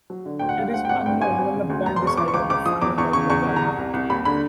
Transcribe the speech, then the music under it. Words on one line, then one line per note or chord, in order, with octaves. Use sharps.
It is unknown when the band decided on the final title of the album.
F#3
D3
D2 G5
F#5
G3 F5
D2 F#5
G5
G#1 F#5
G2 G5
G#1 G#5
G#1
C#3
D2
E1 A#5
C6
E1
C#6
F3 D6
C#6
C#2 D6
C#2 D6
F3 D#6
E2 D6
E2 C#6
C#3 C#6
E2 C#6
C2
A#5
C2
C2
C2
D#2 B5
D3 B5